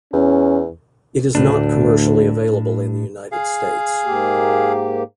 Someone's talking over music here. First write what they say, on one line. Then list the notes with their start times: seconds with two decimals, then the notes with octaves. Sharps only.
It is not commercially available in the United States.
0.13 E2 C#4
1.35 D2 A2 D4
3.32 G#4 F5
4.05 G#2 A#3 G4